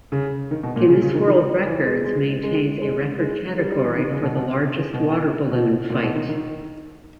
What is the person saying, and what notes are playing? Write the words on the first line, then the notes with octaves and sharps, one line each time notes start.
Guinness World Records maintains a record category for largest water balloon fight.
C#3
D#3
B2
A#2
C#3
C#3
D#3
D#3
E3
G#3
G#3
G#3
G#3
G#3
G3
G3
E3
D#3
C#3
B2
B2
C#3
B2
B2
A#2
B2
D#3
D#3